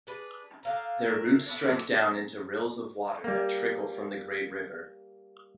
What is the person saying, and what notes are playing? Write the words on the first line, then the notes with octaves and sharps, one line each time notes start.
Their roots strike down into rills of water that trickle from the great river.
D4 G#4 B4
D3 F5 A#5
A3 A#4
A3 B3 D4
G3 A#3